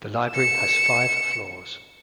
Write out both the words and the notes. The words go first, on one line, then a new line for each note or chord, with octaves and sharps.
The library has five floors.
C#7 E7